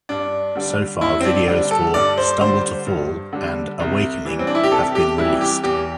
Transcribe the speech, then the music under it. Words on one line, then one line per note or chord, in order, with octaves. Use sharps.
So far videos for "Stumble to Fall" and "Awakening" have been released.
G2 D4
D3 G3
G2 E4
C4
D4
D3 G3
A4
G2 D5
C5
D3 G3 C5
G2
D3 G3
C2
C3 E3 G3
C4
D4
E4
G4
C2 A4
G4
C3 E3 G3 E4
G4
E2 G4